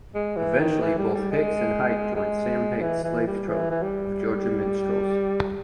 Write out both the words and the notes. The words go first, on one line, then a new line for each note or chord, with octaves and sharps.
Eventually, both Hicks and Height joined Sam Hague's Slave Troupe of Georgia Minstrels.
G#3
E3
D#3
E3
G3
G3
G#3
G#3
E3
E3
G3
E3
E3
G3